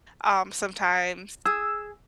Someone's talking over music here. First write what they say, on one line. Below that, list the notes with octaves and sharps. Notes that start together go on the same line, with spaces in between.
um, sometimes
G#4 E6